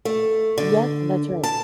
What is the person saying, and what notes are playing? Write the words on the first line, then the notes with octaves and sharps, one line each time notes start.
Yep, that's right.
A3
D3
A5